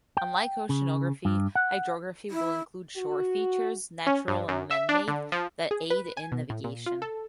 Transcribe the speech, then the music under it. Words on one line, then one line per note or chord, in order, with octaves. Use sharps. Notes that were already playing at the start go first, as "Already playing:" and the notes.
Unlike oceanography, hydrography will include shore features, natural and manmade, that aid in navigation.
G5
C#3
G2
F#5
E4
F#4
C#4
G2
F#2
E5
D4
D3
F3
G#4
B4
G#5
B2
A2
A#2
F4
A4